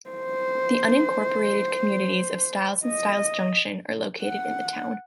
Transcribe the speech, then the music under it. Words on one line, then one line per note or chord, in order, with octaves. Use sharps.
The unincorporated communities of Stiles and Stiles Junction are located in the town.
C5
D#5
F#5